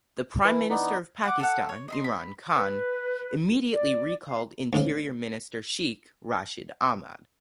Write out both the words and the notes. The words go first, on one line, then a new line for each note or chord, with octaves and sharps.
The Prime Minister of Pakistan Imran Khan immediately recalled Interior Minister Sheikh Rashid Ahmad.
E3 E4
E3 B3 D4 D#4
F#5 C6 D6
A4 F5 F#5
C#5
D#5 E5 C6
B5
B4
D5
F5
D2 G#2 C#3